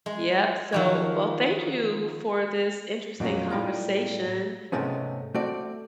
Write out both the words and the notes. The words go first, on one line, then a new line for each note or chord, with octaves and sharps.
Yup, so well, thank you for this interesting conversation
G#3
D#3 F3 F#4
F2 A#2 D#3 F#3 C#4
A2 G3 D#4 F4
G#2 C3 G#3 A3 B3 C#4
A3 C4 F#4 D5